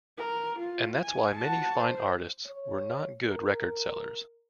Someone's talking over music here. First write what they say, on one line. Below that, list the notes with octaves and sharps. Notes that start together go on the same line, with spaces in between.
And that's why many fine artists were not good record sellers.
A#4
F4
G#5
F#4 A5
C5
C#5
A#4